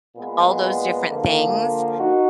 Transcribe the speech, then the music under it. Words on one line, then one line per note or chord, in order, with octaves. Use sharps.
all those different things,
A#2 G#3 B3
D3 F3 A#3
D#4 F#4